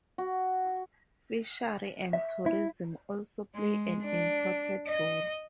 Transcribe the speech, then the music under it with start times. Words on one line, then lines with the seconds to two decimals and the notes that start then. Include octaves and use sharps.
Fishery and tourism also play an important role.
0.18 F#4
2.13 E5
2.46 E4
3.55 G#3
4.04 D4
4.88 D#5